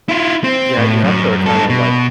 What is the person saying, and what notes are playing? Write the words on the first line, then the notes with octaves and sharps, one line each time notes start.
Yeah, you have to kinda, like
E4 F4
C4
A2
F#2
G2 A4
B2